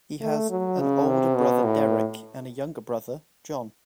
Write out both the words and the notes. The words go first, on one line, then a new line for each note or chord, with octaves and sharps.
He has an older brother, Derek, and a younger brother, John.
A3
F#3
C#3
C3
B2
A2